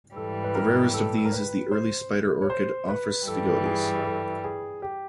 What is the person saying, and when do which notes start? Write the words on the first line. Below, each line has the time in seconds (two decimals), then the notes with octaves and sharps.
The rarest of these is the early spider orchid "Ophrys sphegodes".
0.16 G#2 E3 G3 A4
0.44 B4
0.55 A#4
0.94 A4
1.17 A4
1.25 A#4
1.32 B4
1.71 C5
2.42 C#5
2.50 C5
2.89 B4
3.27 G2 E3 G3 A4
3.66 G#4
4.05 A4
4.44 G#4
4.82 G4